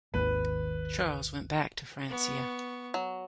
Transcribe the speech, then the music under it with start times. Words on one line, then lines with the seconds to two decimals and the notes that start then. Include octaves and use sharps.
Charles went back to Francia.
0.14 G#1 D#2 B4
2.08 B3 C#6
2.94 F#3